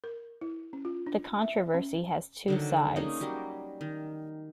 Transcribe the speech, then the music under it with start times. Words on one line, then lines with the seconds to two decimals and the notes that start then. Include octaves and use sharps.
The controversy has two sides.
0.04 A#4
0.41 E4
0.73 C#4
0.85 F4
1.06 D4
1.42 E5
1.74 C#4
2.48 D3 D#3 F#3
2.96 A#3 C#4 D#4 G#4
3.20 F#3 G3 A#3 G4
3.81 D#3